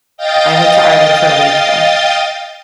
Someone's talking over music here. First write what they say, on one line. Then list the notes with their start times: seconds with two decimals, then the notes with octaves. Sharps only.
I went to Ireland for a week, though.
0.17 D#5 F5 G5 D#6 G6 A6